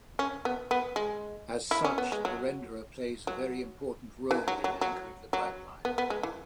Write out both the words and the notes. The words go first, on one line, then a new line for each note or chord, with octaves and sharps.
As such, the renderer plays a very important role in anchoring the pipeline.
C#4
B3
B3
G#3
E4
C#4
B3
G#3
F#3
F#3
E3
F#3
F#3
F#3
F#3
B3
B3
G#3
E3